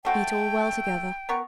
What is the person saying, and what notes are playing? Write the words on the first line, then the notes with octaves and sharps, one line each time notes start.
Beat all well together.
A3 F#4 C5 G5
B3 A#4 C#6